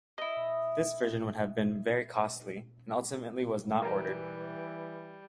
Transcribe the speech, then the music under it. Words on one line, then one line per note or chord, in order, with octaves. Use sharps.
This version would have been very costly, and ultimately was not ordered.
E4 D#5
E3 G3 A#4 B4 A#5